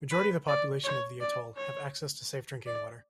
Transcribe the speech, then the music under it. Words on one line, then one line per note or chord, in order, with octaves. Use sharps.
Majority of the population of the atoll have access to safe drinking water.
B4
D5
C#5
D5
C#5
D5